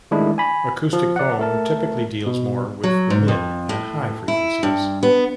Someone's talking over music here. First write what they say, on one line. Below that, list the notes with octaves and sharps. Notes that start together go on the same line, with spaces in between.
Acoustic foam typically deals more with the mid and high frequencies.
D#3 G#3 A3 D4 E4
G#5 B5
F3
D5 F#5
A3 A#4 A5
B2
F#3
G#2
F2
A2
E4
G2
B3